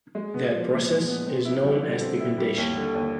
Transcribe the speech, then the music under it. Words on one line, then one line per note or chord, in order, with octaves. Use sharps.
That process is known as pigmentation.
G#3
B3
F3
A#2
G#3
B3
C4
E4
G3
D3
C4
E4
G3
D#2
D3
D#2